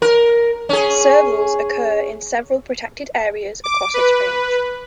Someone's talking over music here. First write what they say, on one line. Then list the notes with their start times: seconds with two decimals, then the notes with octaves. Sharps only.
Servals occur in several protected areas across its range.
0.02 A#4
0.69 C#4 G#4
3.64 D6
3.94 B4